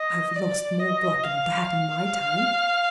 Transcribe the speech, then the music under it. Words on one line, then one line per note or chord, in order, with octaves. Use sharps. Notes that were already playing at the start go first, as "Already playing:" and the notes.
I've lost more blood than that in my time!
Already playing: D#5
D5
D#5
F5
F5